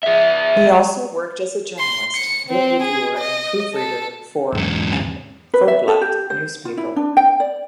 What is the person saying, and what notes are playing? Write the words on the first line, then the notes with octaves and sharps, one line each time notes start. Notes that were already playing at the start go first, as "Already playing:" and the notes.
He also worked as a journalist, book reviewer and proofreader for "An Phoblacht" newspaper.
G#4 E5
C6
C#7
C4
G#4
D#5
A4
E2 G#2
B4
E5
A4
G4
C5
F4
E4
D4
G5
D5